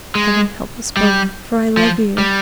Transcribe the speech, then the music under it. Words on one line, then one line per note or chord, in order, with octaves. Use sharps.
"Heaven help us both; for I love you!"
G#3
G3
F3
G3